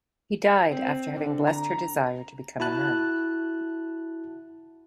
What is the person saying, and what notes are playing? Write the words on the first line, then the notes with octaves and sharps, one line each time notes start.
He died after having blessed her desire to become a nun.
C4
D3
A#5
E4 F#4 A5 F#6